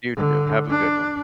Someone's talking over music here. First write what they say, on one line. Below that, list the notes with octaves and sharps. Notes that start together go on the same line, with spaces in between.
You too, have a good one.
D3
D4